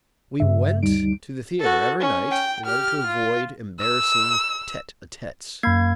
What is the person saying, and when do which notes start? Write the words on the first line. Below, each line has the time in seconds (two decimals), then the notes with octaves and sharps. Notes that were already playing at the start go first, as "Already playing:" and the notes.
We went to the theater every night in order to avoid embarrassing tete-a-tetes.
0.40 G2 C#3 E5
0.83 D2 G3 D#4 D7
1.59 F#4 A4
2.00 C#4
2.31 G5
2.65 G4 F6
3.06 F4
3.81 E6
5.63 F#2 A#3 B5 G#6 C7